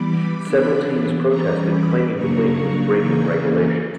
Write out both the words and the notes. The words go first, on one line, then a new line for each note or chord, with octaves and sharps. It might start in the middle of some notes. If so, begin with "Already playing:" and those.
Several teams protested claiming the wing was breaking regulations.
Already playing: E3 G3 B3 B5 D6
E3 B3 D4
E3 G3 C#4 A#5 C#6
B5 D6
C#3 F#3 A#3 D4 A#5 C#6
C#3 E3 A#3 C#4